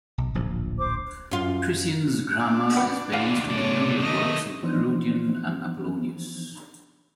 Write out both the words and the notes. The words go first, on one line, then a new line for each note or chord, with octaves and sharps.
Priscian's grammar is based on the earlier works of Herodian and Apollonius.
B1
D1 A#1 F3
C5 D6
F#2 F4
D4
B4 F#5 G5
D#2 E3 F#4 F5
C#3 A3 B3 C#5 D5
D#3 A3 A#3 D#5
E3 F3 B3 D4 D#4 C5